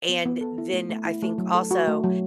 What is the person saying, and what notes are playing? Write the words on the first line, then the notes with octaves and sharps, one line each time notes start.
and then, I think also
B3
B3
A4
E4
A3
A3
E4
A3
F#3
A4
F#4
A3
F#3